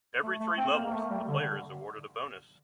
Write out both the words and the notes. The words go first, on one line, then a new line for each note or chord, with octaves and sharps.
Every three levels, the player is awarded a bonus.
A3
A3
C4
A#3
A#3
A3
G3
D3